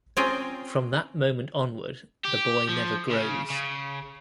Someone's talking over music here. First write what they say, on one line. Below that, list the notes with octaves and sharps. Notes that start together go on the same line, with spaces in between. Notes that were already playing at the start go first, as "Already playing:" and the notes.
From that moment onward, the boy never grows.
C4 C#4 F4 G#4 G5 A#5
G4
F3
C#3
C#3